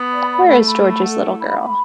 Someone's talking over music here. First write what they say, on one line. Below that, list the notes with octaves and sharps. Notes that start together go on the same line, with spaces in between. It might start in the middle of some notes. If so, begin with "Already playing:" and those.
Where is George's little girl?
Already playing: B3 B5
D5
B5
A3 A4
B5
A4
F#5
E4
B5
B5